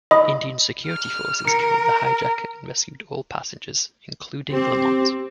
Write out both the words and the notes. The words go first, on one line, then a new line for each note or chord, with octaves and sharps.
Indian security forces killed the hijacker and rescued all passengers, including Lamont.
D#5 B5 D#6
F6
A#4 C#7
C4 G4